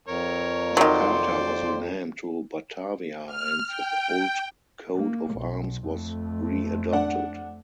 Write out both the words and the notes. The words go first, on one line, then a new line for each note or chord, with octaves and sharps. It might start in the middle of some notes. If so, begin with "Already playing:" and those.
Jakarta was renamed to Batavia and the old coat of arms was readopted.
F2 A#4 C#5
D#3 F#3 C5 D5 C6
F6
G5
A#3
B1
F2 A3
D4 F#5